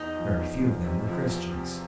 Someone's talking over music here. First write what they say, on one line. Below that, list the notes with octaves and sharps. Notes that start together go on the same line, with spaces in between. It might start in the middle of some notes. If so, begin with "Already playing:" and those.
Very few of them were Christians.
Already playing: E2 D#4 D#5
F3
E2
F3
C3
F3
E2
C3